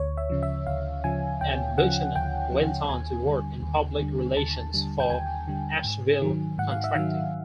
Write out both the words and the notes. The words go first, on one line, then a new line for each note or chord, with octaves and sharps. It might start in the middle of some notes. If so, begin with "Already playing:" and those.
And Buchanan went on to work in public relations for Asheville Contracting.
Already playing: D2 C#5
E5
C#3 F3
E5
D2 F5
C#3 F3 G#5
D2 G5
C#3 F3 F#5
D2 G5
C#3 F3
D#2 G#5
D3 G3
D#2
D3 G3
D#2 A5
D3 G3
G5
D#2 G#5
D3 G3
G#2
D#3 F#3
G#2 F#5
F5
E5
D#3 F#3 F5